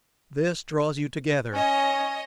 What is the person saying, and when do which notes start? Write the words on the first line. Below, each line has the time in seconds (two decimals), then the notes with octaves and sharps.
This draws you together.
1.54 C#4 C#5 D#5